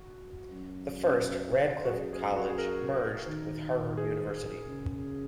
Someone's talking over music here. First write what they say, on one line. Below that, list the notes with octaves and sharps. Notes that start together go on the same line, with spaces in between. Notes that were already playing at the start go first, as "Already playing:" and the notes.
The first, Radcliffe College, merged with Harvard University.
Already playing: F#4
F#2
F#4
F#2 G#4
G#4
F#4
G#4
A#4
D#3
G#4
C#3